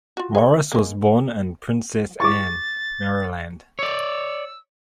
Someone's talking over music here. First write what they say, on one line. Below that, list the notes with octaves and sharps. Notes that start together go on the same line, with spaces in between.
Morris was born in Princess Anne, Maryland.
F4 F#4
G#4 C#5
G#3 A#3
C#6 D6 A6
C#5 D5 E6